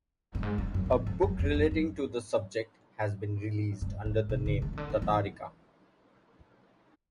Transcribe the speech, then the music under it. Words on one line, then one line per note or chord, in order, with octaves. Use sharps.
A book relating to the subject has been released under the name "Tatarica".
G2
G#2
G2
F#2
F#2
F2
F2
F#2
E2
F2
F#2
G2
G#2
C3
D3
D#3
C#3
D3
D#3
E3